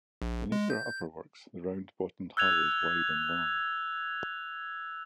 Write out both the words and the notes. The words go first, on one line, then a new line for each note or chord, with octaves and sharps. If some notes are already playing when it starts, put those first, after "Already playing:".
Beneath her upperworks, the round-bottomed hull is wide and long.
A#1
G#3
G6
E6 F#6 G#6 F7